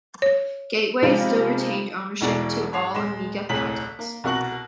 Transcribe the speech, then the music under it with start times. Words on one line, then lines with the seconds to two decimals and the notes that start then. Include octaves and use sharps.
Gateway still retained ownership to all Amiga patents.
0.22 C#5
1.02 C3 F3 G3 G#3 D#4 F4
2.21 E1 B2 E3 G#3 D5 D7
2.72 G#2 C#5 F#5 C7 F7
2.94 D#1 G#3 B5 C6 B6 E7
3.49 D#1 C2 A2 G#4 B6 F#7
3.99 A#3
4.24 C2 B2 F#4 A#4 C#6 F#7